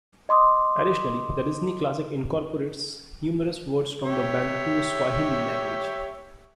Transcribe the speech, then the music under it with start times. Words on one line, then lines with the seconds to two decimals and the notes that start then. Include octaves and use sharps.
Additionally, the Disney classic incorporates numerous words from the Bantu Swahili language.
0.29 D#5 C6 D6 D#6
4.05 G4 C#5 E5